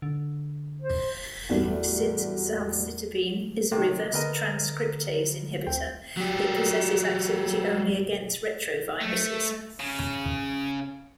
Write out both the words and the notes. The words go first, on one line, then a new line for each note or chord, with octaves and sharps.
Since zalcitabine is a reverse transcriptase inhibitor it possesses activity only against retroviruses.
D3
C5
E2 A2 F#3 G3 A3 B3
C3 D#3
D3 B3 A#4 D#5
D2 C4 G5
F#3 G4
A3
C#3